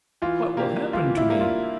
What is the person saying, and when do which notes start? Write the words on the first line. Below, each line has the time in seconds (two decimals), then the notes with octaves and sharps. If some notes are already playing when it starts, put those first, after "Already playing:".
What will happen to me?
0.22 E3 F4
0.57 A#3 D4 G4
0.93 E3 F4
1.17 E4
1.28 A#3 D4 G4
1.41 F4